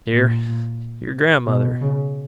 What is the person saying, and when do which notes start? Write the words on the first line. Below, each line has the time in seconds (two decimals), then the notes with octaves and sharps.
"Dear," your grandmother.
0.09 A#2
1.46 B2
1.81 C#3